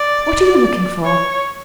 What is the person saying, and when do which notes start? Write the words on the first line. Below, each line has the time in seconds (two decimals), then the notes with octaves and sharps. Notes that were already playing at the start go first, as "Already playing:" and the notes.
What are you looking for?
Already playing: D5
1.04 C#5